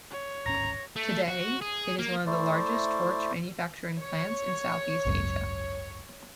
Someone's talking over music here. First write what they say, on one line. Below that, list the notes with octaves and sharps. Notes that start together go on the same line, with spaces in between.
Today it is one of the largest torch manufacturing plants in South East Asia.
C#5
D1 G#1 C#4 A#5 A#6
A3
F#4
G#4
A#3
A3 E4 C5 D5
C#5
G#1 C#2 F#2